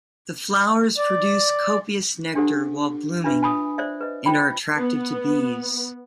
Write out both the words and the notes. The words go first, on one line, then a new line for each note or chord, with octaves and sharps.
The flowers produce copious nectar while blooming and are attractive to bees.
D5
D4 G4 A4 C5 F#5
D4 F4 B4 E5
G#5 B5 D#6
C5 D5 E5
B4 D#5
F4 C5 D#5 G5 B5
B3